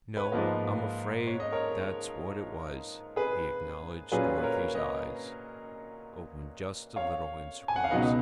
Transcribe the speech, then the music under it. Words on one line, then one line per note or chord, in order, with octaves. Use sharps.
"No, I'm afraid that's what it was," he acknowledged Dorothy's eyes opened just a little in surprise.
B4
C#5
G#2 F3 A#3 F4 B4 D#5
C#5
D#5
A#4 C#5
G#4 B4
A#2 F#3 C#4 F4 G#4 B4
B4
A#4 C#5
B4 D#5
C#5 F5
G#5
F#5
F5
C#2 B2 F#3 B3 D#4 B4 D#5